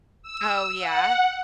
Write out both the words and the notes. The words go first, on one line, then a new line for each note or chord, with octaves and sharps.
Oh, yeah.
E6
F#5